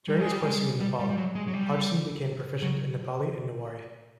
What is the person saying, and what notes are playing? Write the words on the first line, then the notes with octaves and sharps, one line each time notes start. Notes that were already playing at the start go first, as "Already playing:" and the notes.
During his posting in Nepal, Hodgson became proficient in Nepali and Newari.
G3
G#3
G3
G#3
G3
G3
G3
G3
F#3
G#3
F#3
G3
F#3